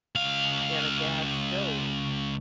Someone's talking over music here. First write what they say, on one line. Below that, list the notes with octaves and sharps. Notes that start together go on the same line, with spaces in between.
and a gas stove,
C#2 F5